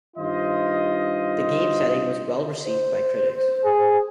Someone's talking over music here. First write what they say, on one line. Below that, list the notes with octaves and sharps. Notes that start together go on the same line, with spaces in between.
The game's setting was well received by critics.
G2 D#3 F4 C5 D#5
C5
G#4